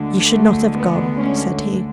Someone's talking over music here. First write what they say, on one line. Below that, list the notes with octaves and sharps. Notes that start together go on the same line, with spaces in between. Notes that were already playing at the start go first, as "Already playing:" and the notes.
"You should not have gone," said he.
Already playing: D2 D3 G#3
A3
B3
A3 C#4